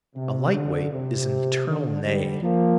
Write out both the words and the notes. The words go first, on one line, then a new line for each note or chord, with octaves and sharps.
"A light-weight is an eternal nay."
C3
D3
C3
D3
D3 G3
F3 A#3